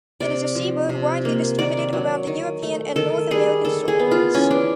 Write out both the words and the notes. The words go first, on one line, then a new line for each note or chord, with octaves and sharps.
It is a seabird widely distributed around the European and North American shores.
C3 D5
F3
C3
A#3
D#3 D5
F#3
D#3
A3
D#3 A4
G3 G#4
D#3 A4
G#4
B3
F4
E3 C#4
D4